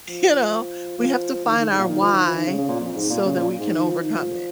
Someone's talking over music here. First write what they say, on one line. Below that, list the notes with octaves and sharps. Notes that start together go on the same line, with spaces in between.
You know? We have to find our "why" so that we can overcome it.
F3
F3
D#3
D#3
G#2
A#2
D#3
F3
D#3
F3
D#3
C#3
C#3
A#2
F2
G#2
A#2
C#3
A#2
G#2
D#3
F3
D#3
F3